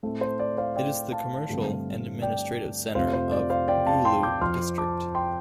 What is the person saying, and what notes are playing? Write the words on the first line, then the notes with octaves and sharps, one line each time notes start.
It is the commercial and administrative centre of Gulu District.
A2 A3 C4
C5
D5
C5 F5
D5 G5
F5 A5
G2 D3 A3 C4
D5 G5
F2 C3 F3 A3 C5 F5
C5
D5
C5 F5
D5 G5
F5 A5
G5 C6
D6 G6
F2 F3 C4 C6 F6
A5 D6
G5 C6